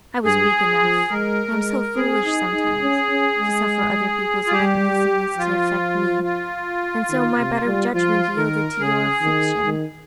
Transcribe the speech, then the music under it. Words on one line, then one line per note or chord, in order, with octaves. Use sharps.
I was weak enough--I am so foolish sometimes!--to suffer other people's uneasiness to affect me, and so my better judgment yielded to your affliction.
G2 G#4
F3
G#3 A#4
G#3
C4 G#4
D#4
D#4
C#4
C#4
G#3
F4
G3 G4
F3 F4
F4
D#3
C3
G3
F3 F4
D#3 A#4
C#3 G#4
D#3
D#3